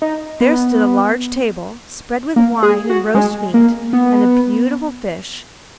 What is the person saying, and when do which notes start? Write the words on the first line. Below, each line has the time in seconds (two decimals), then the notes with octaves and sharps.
There stood a large table, spread with wine and roast meat and a beautiful fish.
0.02 D#4
0.41 B3
2.36 A#3
2.63 G#4
2.90 F#4
3.15 G#3
3.54 A#3
3.93 B3